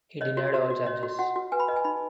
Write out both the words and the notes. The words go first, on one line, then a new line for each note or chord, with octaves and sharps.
He denied all charges.
C#5 D#5
F#4 C#5
F#4
F#4
C#5 D#5
F#4
F#4 F#5
F#4
B4 G#5
B5
B4 D#5
G#5
D#4 B5